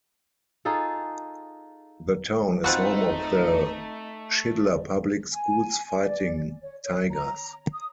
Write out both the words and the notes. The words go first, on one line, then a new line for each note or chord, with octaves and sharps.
The town is home of the Shidler Public Schools Fighting Tigers.
D#4 F4 G#4 A4
A3 C4 D#4 F4 F#4 D#5 B5 F#6
G#5
D5
C#5
C#5
A#5
D#6